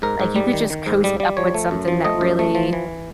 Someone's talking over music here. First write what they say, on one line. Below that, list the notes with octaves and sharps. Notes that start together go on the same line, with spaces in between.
like, you could just cozy up with something that really
G#2 A#4
G#2
G3
D#3
D#3
G#2
G3
G3
F3 C#5
A3
F#2
F3
A3 D#5
F#2
A3
F3
E3